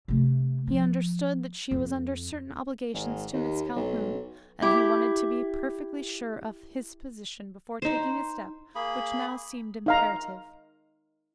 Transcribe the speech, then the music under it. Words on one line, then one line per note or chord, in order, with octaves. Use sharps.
He understood that she was under certain obligations to Miss Calhoun and he wanted to be perfectly sure of his position before taking a step which now seemed imperative.
C3 A3
F3
F2
G#1
D#2
B1
E4 G4
D#4 C5
A#3 G#4 B5
D#4 F5 A#5